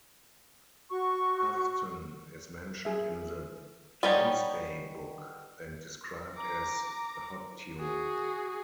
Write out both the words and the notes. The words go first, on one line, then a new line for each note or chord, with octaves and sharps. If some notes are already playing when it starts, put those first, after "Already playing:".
Houghton is mentioned in the Domesday Book and described as "Hoctune".
F#4 C#6
G#4 E5
G3 B3 C#4 D#4 G4
A#5 D6
F#4 G#4